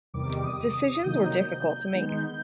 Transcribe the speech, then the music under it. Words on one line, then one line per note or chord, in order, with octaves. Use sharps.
Decisions were difficult to make.
E2 C3 D#3 G3 D6
D6
D#6
D6
D#6
C3 D#3 F#3 A#3 D#4 G6
D#3 G#3 B3 D#4